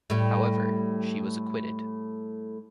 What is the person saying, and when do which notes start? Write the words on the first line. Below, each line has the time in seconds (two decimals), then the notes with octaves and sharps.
However, she was acquitted.
0.10 A2 G3